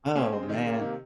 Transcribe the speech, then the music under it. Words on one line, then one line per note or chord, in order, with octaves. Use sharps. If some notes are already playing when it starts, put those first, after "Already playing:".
Oh, man.
A#3 C4 C#4
G#3 C4
C#3
C3 D#3
C#3 A#3
C3 D#3